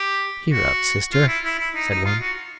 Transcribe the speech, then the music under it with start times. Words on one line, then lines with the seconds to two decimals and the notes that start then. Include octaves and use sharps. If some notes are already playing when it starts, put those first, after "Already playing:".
"Cheer up, sister," said one.
Already playing: G4
0.52 F#4
1.13 F4
1.28 E4
1.44 E4
1.59 E4
1.75 D#4
1.90 D#4
2.05 F4
2.22 F#4